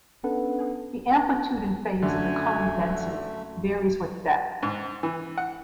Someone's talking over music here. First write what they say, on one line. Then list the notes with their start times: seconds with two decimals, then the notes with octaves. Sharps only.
The amplitude and phase of the current density varies with depth.
0.24 B3 C#4 D4 A4 B4 F#5
2.02 F#2 D3 A3 G#5
4.63 G#2
5.03 E3
5.38 F#5